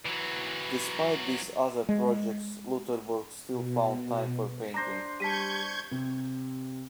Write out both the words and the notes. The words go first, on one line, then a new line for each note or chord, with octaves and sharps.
Despite these other projects, Loutherbourg still found time for painting.
E3 F#3
G#3
B2
D4 C5 A#5 A#6
G3 A5 C#6 G6 G#6 B6 D#7
C3